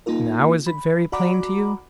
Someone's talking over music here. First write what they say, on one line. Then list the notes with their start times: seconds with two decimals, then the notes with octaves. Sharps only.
Now is it very plain to you?
0.06 A#3 D#4 F4 A#4
0.66 B5
1.12 F#4 D5 F#5 A#5 B5 D6